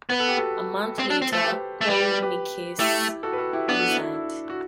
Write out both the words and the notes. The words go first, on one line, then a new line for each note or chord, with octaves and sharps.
A month later, Paul Mckess resigned.
B3 B4
A4
G4
F#4 A4
C4
D4
C4
A3 C5
G4 B4
A3
G3 G4 B4
G4 B4
G4 B4
G4 B4
A3 E4 G4
F#4 A4
B4
F#4 A4
E4 G4
B3 D4 F#4
F#4 A4
E4
E4
E4
F#4